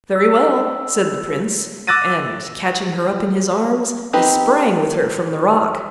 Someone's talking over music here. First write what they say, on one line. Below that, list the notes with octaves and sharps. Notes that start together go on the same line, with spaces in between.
"Very well," said the prince; and, catching her up in his arms, he sprang with her from the rock.
E6
D6 E6 F#6 A6 A#6 D#7
C4 D#4 G4 B4